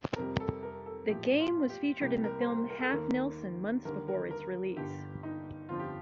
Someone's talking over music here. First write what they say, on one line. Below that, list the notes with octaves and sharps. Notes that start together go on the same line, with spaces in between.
The game was featured in the film "Half Nelson" months before its release.
F2 C3 G3 A#4
A4
A#4
A4
A#1 A2 F3 G4
F4
G4
C2 C3 G3 A#3 G4
A#4
C5
A#4
A#4
A4
D#2 D#3 A#3 A#4
D#2 D3 G3 A#3 A#4
A#4
A#4
G1 G2 D3 G4
D#4
G1 F2 D3 F3 F4
G4